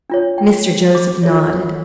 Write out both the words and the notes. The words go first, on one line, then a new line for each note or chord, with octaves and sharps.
Mr. Joseph nodded.
D4 F4 C#5
G5
D6
F4 A4 C#5